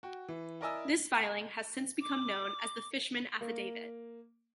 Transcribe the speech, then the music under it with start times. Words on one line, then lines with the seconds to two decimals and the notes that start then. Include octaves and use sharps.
This filing has since become known as the Fishman Affidavit.
0.03 F#4 G5
0.28 E3
0.61 E4 A#4 D5 D#5 G#5 E6
2.01 D6
3.41 A#3